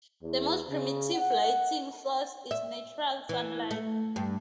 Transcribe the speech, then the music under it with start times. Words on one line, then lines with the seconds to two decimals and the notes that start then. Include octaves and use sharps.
The most primitive lighting source is natural sunlight.
0.23 E2
0.69 C#3
1.15 F#5
2.51 E5
3.29 E3
3.71 A3
4.16 G2